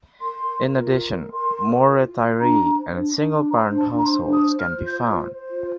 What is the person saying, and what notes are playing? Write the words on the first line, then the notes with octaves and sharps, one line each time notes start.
In addition, more retiree and single parent households can be found.
A#4 C6
A#4
A#4
F4
A#4
A#4
A#4 C6
A#4
A#4
F4
F4
F4
D4 A#5
D4
C5
D4
D4
D4
C5 A#5
D4
A5
D4
A#5
C5 C6
D4
D#6
C5
C5 F6
F4
G6
C5
C5
C5
F4